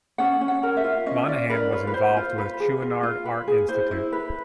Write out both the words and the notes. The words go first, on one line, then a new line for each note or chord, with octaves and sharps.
Monahan was involved with Chouinard Art Institute.
C#4 F#5
C#4
F#5
A#4
E5
F4
C#4 D#5
C#4 D5
A#4 B4
F4 C#5
B4
F4 C5
F4
B4
G#4
F4
F4
B4
G#4
E4 C5
E4
B4